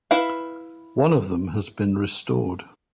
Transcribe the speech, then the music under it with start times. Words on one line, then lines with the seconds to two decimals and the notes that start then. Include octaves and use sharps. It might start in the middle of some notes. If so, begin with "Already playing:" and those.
One of them has been restored.
0.11 E4 B4 E5 F5